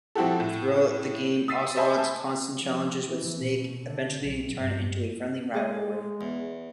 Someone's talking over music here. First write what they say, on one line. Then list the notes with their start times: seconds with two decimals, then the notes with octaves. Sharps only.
Throughout the game, Ocelot's constant challenges with Snake eventually turn into a friendly rivalry.
0.15 F3 C4 E4 F#4 G4 A4
0.40 A2
1.48 D#6 E6 A6 B6 C7 D#7
1.76 C5 D#5 E5 G#5 A5 B5
2.59 F3
3.06 E3
3.39 B2
3.84 D3
4.23 B1
4.57 G2
5.54 G#3 G#4 D5 D#5
6.21 E2